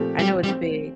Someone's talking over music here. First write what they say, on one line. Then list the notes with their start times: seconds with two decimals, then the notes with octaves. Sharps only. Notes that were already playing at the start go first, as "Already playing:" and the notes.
I know it's big.
Already playing: A#2 F3 A3 C4 G4
0.19 G3
0.43 G3
0.48 C4